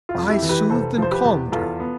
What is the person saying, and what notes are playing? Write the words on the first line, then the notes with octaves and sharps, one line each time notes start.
I soothed and calmed her.
F4
F2
E4 G4
E3
G4 B4
F1 A4 C5
F3 C5
G4 B4
E2
E2 F4 A4
B3